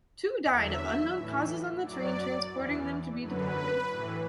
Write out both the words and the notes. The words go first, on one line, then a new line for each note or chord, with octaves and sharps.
Two died of unknown causes on the train transporting them to be deported.
E2 D3 F#3 E5
A2 E3
F#2 F#3 D5
E2 E3
F#2 D3 F#3 B4
A2 E3